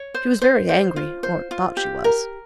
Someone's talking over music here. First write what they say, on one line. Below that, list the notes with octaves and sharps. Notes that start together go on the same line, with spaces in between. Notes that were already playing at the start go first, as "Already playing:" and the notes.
She was very angry, or thought she was.
Already playing: C#5
C5
C5
C5
F4
C5
F4
G4
A#4